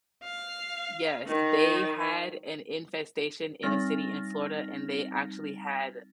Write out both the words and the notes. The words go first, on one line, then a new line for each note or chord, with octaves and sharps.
Yes, they had an infestation in a city in Florida, and they actually had
F5
D#3
G3 C4 D#4 F6 A6 A#6